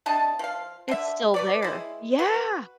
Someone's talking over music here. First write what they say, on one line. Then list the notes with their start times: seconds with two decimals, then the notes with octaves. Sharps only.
It's still there, yeah.
0.06 C3 D4 D#5 A5
0.39 F3 F5
0.88 D3 E5
1.34 B4 C#5 D5
1.62 G#3 E4
2.19 F#4 B4